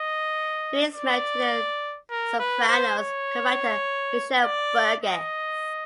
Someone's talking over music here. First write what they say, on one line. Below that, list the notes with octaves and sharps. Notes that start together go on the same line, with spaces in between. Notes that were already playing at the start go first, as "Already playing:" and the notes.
Green is married to "The Sopranos" co-writer Mitchell Burgess.
Already playing: D#5
D5
A#4
B4
C5
C#5
D5
D#5